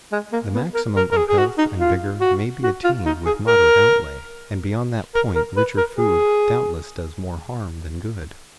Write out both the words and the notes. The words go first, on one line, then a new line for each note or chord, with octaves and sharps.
The maximum of health and vigor may be attained with moderate outlay, and beyond that point richer food doubtless does more harm than good.
G#3
A#3
B3
A#4
A#4
A#4
G#4
G#4
F#4
D#4
F4
F#4
F#4
F4
D#4
G#4
A#4
A#4
A#4
B4
A#4
G#4